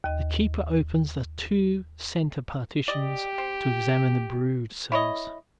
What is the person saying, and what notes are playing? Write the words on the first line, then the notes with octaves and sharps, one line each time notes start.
The keeper opens the two center partitions to examine the brood cells.
D#2 D#5
G4 D5 D#5
C4
E4 C#5 D#5